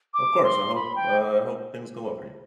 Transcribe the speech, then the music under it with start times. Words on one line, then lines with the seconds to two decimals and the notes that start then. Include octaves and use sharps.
Well, of course, I hope uh, I hope things go well for you.
0.14 D6
0.44 C6
0.75 B5
0.96 G5